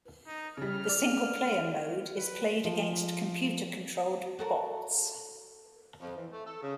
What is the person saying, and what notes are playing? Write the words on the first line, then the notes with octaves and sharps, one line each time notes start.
The single-player mode is played against computer-controlled bots.
D#4
C#3 G3 F6
D5
B4
F3
F#4 A4 A#4
F2
E3
A3
A4
C#3